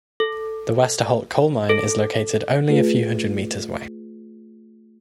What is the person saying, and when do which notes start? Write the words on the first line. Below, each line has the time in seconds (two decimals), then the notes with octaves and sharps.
The Westerholt coal mine is located only a few hundred metres away.
0.20 A4
1.69 A4
2.69 A3 F4 G#4 B4